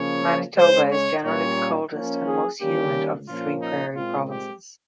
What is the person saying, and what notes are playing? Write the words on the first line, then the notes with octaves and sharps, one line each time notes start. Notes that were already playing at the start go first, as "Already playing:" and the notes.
Manitoba is generally the coldest and most humid of the three prairie provinces.
Already playing: C#3 F3 A#3 C#4 C#5
C#3 G#3 C#4 C5
C#5
A#2 G3 A#3 C#4 C#5
F3 A#3 C#4
G#4
D#3 G3 A#3 C#4 G4
A#2 F3 A#3 C#4 F4
D#4
A#2 G#3 C4 F4
G4